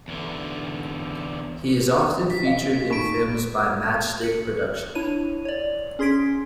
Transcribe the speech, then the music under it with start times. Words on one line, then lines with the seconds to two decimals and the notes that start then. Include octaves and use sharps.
He is often featured in films by Matchstick Productions.
0.08 E2 D3
2.30 B6
2.45 D#5 F5
2.90 D#4 A#5 B5 C#6 D7
4.21 C#7 F#7
4.95 D4 E4 C#5 D#7
5.45 C#5 D5
5.99 C#4 G#4 C6 G#6 B6 D7